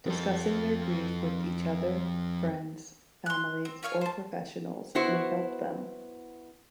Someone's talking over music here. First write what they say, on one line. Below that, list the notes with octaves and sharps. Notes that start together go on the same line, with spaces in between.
Discussing their grief with each other, friends, families, or professionals may help them.
F2 A4
C6 F#6
C4
F4 C#5 F5 G#5
C5 A5
B3 E4 F#4 C5